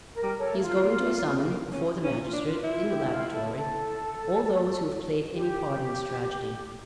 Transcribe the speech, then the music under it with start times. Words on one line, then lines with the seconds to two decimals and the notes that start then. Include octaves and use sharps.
He is going to summon, before the magistrate, in the laboratory, all those who have played any part in this tragedy.
0.14 A#4
0.23 G3
0.38 A4 C#5
0.53 A3
0.60 F4
0.82 A#3
1.05 A3
1.28 C#4
1.50 A#3
1.73 C#4 E4
1.95 E4
2.04 C#4
2.18 F4
2.33 D4
2.40 F4
2.64 E4 F4
2.86 G4
3.09 F4
3.32 A4
3.54 A4
5.34 G4